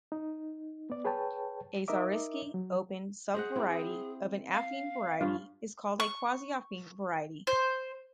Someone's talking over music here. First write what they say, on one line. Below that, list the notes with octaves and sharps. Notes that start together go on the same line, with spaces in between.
A Zariski open subvariety of an affine variety is called a quasi-affine variety.
D#4
B3 D5
G#4 B4 C#5 G5 A5
D#4 A#4 D#5 E5 D6
F#3
G#4 C5 D#5 F#5
C4 E4
F5
G2 C#4 F4
C#6
C5